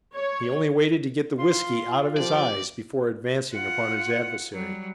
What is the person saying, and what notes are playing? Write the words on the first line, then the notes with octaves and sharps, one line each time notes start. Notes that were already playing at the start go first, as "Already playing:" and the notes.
He only waited to get the whisky out of his eyes before advancing upon his adversary.
C#5
F4 C6
F3 G4 D5
F4 F#5
F#3 G3